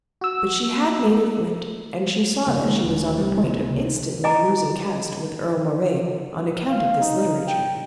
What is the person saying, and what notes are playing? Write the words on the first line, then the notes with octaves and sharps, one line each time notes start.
But she had native wit, and she saw that she was on the point of instantly losing caste with Earle Moray on account of this literature.
F#4 E6
D#1 D2 C#3 A#3
D#3 F3 G#3
D#1 D2
C2 G3
C3 D#3 A#3
C#2
D#5 G#5 A#5 D6
F5
D#4
G5